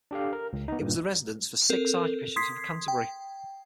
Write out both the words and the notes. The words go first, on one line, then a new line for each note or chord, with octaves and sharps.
It was the residence for six Archbishops of Canterbury.
D4 G4 A4 F5
A#4
C#2
B3 D#4
G2 A#2
C4 A4 A#4
C6 D#6 G#6 B6 C7
G5